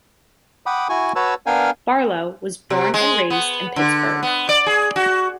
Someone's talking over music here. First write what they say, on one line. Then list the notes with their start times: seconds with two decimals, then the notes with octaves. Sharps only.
Barlow was born and raised in Pittsburgh.
0.66 F#5 G5 B5 D6 D#6
0.89 E4 F#4 G#5 C#6
1.16 F#4 B4 C#5 A5 E6
1.46 B3 D4 A#4 F5 G5 G#5
2.70 C3
2.94 G#3
3.30 B3
3.76 D3
4.23 B3
4.49 D5
4.66 G#4
4.96 F#4